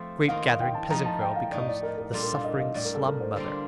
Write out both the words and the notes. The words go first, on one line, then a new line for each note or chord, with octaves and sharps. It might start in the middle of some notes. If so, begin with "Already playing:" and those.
The grape-gathering peasant girl becomes the suffering slum mother.
Already playing: F3 A3 C4
D#3 A#3 F4 F5
G5
A5
F3 A3 D#4 A#5
A5
G5
F5
A2 A3 D#4 D5
D#5
D5
A#4
A#4
A#2 G3 D4 F4 A4
A#4
F5
D#5
D#5
A2 G3 D4 D5
A#4
A4
A#4
C5
D3 G3 A#3 D4 F4